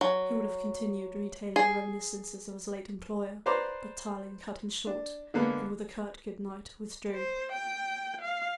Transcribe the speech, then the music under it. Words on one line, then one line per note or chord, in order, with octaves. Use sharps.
He would have continued retailing reminiscences of his late employer, but Tarling cut him short, and with a curt good night withdrew.
F#3
G#4
B4 C5 D5 A#5 C6
D4
D3 G#3 A#3 B3
C5
G5
F5